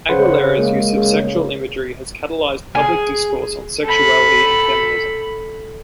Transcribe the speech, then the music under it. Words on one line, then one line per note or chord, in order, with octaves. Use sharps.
Aguilera's use of sexual imagery has catalyzed public discourse on sexuality and feminism.
C#3 B4 C5 F#5
G#3 A#3
C#3
G#4
A4 B5